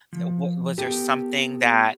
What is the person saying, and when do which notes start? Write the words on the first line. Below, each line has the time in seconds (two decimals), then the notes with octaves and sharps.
th wa was there something that
0.13 F3
0.78 B3 G4 A4 A#4